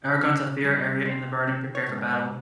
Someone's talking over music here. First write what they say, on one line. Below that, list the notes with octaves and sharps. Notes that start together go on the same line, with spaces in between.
Eragon, Saphira, Arya, and the Varden prepare for battle.
C#3
G3
C4
C4
C#5
G#2